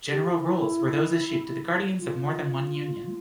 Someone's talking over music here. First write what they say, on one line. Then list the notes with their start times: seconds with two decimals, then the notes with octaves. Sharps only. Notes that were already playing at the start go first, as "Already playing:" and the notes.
General Rules were those issued to the Guardians of more than one Union.
0.10 G4
0.29 F4
0.32 E4
1.98 F4